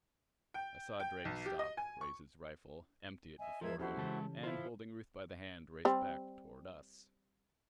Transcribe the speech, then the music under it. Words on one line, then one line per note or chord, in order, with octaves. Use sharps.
I saw Drake stop, raise his rifle, empty it before him, and, holding Ruth by the hand, race back toward us.
G5
G5
B1
G4
D#5
G#5
C#6
D#5 E5 G#5
G#2 F3 G#3 A#4 E5 G#6
F2 C#4 E4 F#4 G4 A4 C5
C#3 E3 G#3 A5
E4 F4 B4 C5
G3 C4